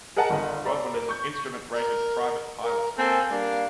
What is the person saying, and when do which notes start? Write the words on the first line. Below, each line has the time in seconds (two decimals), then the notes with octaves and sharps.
Godwin is an instrument rated private pilot.
0.16 G#4 A#4 D#5 F#5 A5
0.30 G1 D3 A#4 D#5
0.65 A4 D5 A#5 B5
0.94 A#4
1.09 C#6 G6
1.74 A#4
2.63 A#4
2.98 A#3 C4 A4 G#5
3.31 G3 A#3 D4 F5